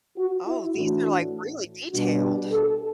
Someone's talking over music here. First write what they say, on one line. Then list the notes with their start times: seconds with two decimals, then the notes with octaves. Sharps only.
Oh, these are like really detailed.
0.17 F#4
0.46 E4
0.75 A2 E3 A3 D4 F#4
1.92 B2 G3 D4 F#4
2.22 G4
2.51 A4